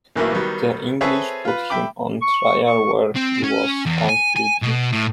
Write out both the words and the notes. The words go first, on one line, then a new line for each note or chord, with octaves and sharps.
The English put him on trial where he was found guilty.
A#1 D#3 E3 F#3 A3 A#3
D#3 F#3 G3 B3
C4 G#4 A4 B4 C#5 E5
F4 B4
E5 G5 B5 D6
C#6
C#6
C4
C#4
E2
G#5
G#5
B2
A2